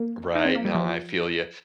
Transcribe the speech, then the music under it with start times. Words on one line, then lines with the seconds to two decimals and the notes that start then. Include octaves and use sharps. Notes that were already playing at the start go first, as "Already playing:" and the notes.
Right, no I feel you.
Already playing: A#3
0.35 D#4
0.45 C4
0.55 A#3
0.65 G3
0.75 F3